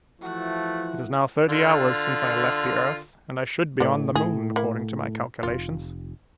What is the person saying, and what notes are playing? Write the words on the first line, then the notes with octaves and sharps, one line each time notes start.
It is now thirty hours since I left the earth and I should be on the moon, according to my calculations.
E3 F3 A3 E4 F#4 F#6
D3 F4
A2 A3 B3 D5
A2 G#4
A#3 E4
F1 F4